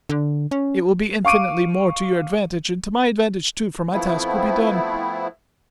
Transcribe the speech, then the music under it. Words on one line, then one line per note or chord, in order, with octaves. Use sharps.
It will be infinitely more to your advantage and to my advantage too, for my task will be done.
D3
C#4
F5 C#6 D6 D7 D#7
F3 A3 B3 C4 E4